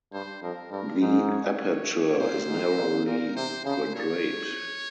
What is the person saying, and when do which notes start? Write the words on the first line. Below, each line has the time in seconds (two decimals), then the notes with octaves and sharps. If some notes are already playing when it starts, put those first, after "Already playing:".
The aperture is narrowly quadrate.
0.13 G2 C5
0.42 F2 A#4
0.72 G2 A#4
1.01 G#2 C5
1.30 C#5
2.19 A#2 C5
2.47 G#2
2.77 A#2
3.06 A#2 A#4
3.36 C3 C5
3.65 C#3 C5
3.95 A#2 C#5